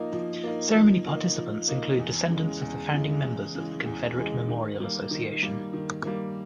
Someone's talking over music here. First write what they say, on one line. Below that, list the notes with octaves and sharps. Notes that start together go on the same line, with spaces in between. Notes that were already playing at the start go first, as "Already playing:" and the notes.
Ceremony participants include descendants of the founding members of the Confederate Memorial Association.
Already playing: F3 A#3 D#4
F3
A#3 D#4
F3
A#3 D#4
F3
A#3 D#4
E2
C#3 E3 G#3
E2
C#3 E3 G#3
E2
C#3 E3 G#3
E2
C#3 E3 G#3
D#3
G3 A#3
D#3
G3 A#3
D#3
G3 A#3